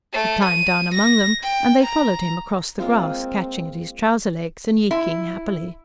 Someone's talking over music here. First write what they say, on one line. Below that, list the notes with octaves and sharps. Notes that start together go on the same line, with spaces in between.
He climbed down among them, and they followed him across the grass, catching at his trouser legs and yeeking happily.
A3
D#7
A#6
G5
A#5
G#3 A#3 C4 F4
E4